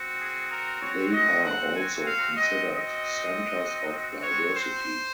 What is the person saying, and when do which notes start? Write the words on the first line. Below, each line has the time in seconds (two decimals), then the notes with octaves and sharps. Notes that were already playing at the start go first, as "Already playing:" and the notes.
They are also considered centers of diversity.
Already playing: C4 F#4
0.18 G#4
0.49 A#4
0.80 C#5
1.11 D#5
1.42 F#5
1.73 G#5
2.05 F5
2.35 C4 F#4 D#5
2.67 D#5
4.23 C#5
4.53 C5